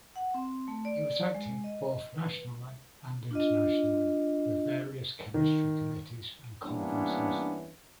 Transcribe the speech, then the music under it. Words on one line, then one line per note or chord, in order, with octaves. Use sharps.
He was active both nationally and internationally with various chemistry committees and conferences.
F#5
C4
A3
D5
G#3
D#5
B4
D4 F4 D#5
D#3
G2 E3 A#3 B3 C#4 D4